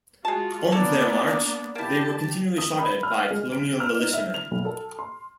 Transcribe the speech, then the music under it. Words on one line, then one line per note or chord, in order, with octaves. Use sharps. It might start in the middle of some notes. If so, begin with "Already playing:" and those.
On their march, they were continually shot at by colonial militiamen.
G#3 F4 F#4 G#4 A5
A#3 B3 D4 A4 C#5 A5
A#3 E4 G4 A5
D#6
B5
F6
G#3
D7
F6
D#4
E5
F7
B1
A4
C6